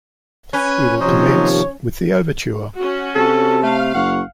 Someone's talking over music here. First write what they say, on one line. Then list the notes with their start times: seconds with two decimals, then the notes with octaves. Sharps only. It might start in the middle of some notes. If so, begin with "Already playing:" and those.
We will commence with the overture.
0.53 C#4 B4 G#5
1.00 D#2 C3 F3 F#3 C5 C#5 D#5
2.77 C#4 F#4
3.15 C3 A4 A5
3.63 A3 F5
3.95 F#1 F#5 C#6